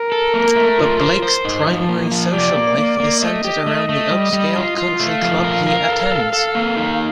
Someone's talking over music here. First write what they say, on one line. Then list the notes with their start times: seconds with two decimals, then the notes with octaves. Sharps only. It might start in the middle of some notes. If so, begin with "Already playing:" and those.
But Blake's primary social life is centered around the upscale country club he attends.
Already playing: A#4
0.12 A4
0.34 A#3
0.56 A3
0.78 F4
1.01 C5
1.22 C5
1.45 D#4
1.67 F3
1.89 A#3
2.11 F3
2.33 G4 D5
2.56 A#3
2.78 A#3
3.00 A#3
3.22 A3 D#5
3.45 G4
3.66 A3
3.89 A3
4.11 G3
4.33 G3
4.55 F4
4.78 F4
5.00 A3 F5
5.22 F3
5.44 A#4
5.66 A#4
5.89 A4
6.10 A4
6.33 A4
6.55 A#3
6.77 D#4